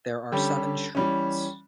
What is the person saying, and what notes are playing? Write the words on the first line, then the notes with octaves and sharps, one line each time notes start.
There are seven streets.
D3 G3 C#4 G4
E3 G3 C#4